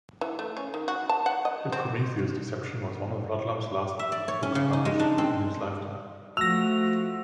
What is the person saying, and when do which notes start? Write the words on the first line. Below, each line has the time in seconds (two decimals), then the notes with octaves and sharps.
"The Prometheus Deception" was one of Ludlum's last books published in his lifetime.
0.21 E3
0.39 A3
0.57 C#4
0.74 D#3
0.88 F#4
1.09 A5
1.26 F#5
1.45 D#5
1.72 C4
3.99 E5
4.12 D5
4.28 C#5
4.43 C#4
4.55 C#3
4.73 D#4
4.85 G#3
4.99 D4
5.18 C4
6.37 F3 A3 F#4 E6 A#6 F7